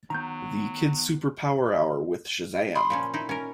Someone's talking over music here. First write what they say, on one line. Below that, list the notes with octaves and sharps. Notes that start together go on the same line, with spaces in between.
The Kid Super Power Hour with Shazam!
D#3 F#3 B3 A#5 G6
B5 C6 D#6
A#2 F3 C#4
D#4 E4
C#4 A#4